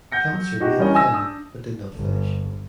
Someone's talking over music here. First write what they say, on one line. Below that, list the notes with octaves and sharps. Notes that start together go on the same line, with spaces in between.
Peltzer made the final, but did not finish.
F#5 G6 A#6 C#7
F#3
D#4 F#4 G4 D#5
E3 G3 C#4 D4 A#4 D#5
G#5 D#6 E6 A#6
D4 D#6 E6
G1